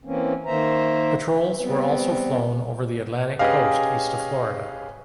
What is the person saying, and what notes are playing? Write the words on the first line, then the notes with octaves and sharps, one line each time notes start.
Patrols were also flown over the Atlantic Coast east of Florida.
E3 A#3 C4 C#4
D#3 A#3 C5 E5 A#5
G3 B3 C4
C#4 G4 G#4 B4 D#5 F5